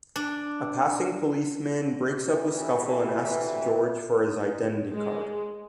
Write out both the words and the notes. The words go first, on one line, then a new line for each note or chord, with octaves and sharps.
A passing policeman breaks up the scuffle and asks George for his identity card.
D4
D2 C3 E3
G#3